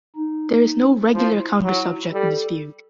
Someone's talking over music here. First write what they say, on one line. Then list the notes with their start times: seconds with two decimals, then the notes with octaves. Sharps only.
There is no regular counter-subject in this fugue.
0.16 D#4
1.14 F3 E4
1.64 F#3 E4
2.13 G3 A4